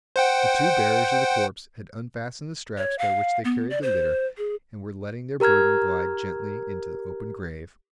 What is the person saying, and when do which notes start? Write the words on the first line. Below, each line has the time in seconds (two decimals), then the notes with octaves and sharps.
The two bearers of the corpse had unfastened the straps by which they carried the litter, and were letting their burden glide gently into the open grave.
0.16 C5 F#5 G5
2.77 C#5
2.99 F5
3.45 B3
3.70 D5
3.82 C5
4.37 G#4
5.40 G4 A#4 A#5 F6 G#6